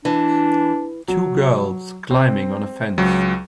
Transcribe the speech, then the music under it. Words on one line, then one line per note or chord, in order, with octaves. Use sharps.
Two girls climbing on a fence.
E3 D4
F#3
C4
C#2 F#3